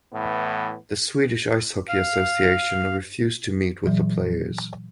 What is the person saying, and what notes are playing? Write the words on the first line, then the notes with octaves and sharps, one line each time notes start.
The Swedish Ice Hockey Association refused to meet with the players.
A2 E3 B3
F5
A#2 E3 F#3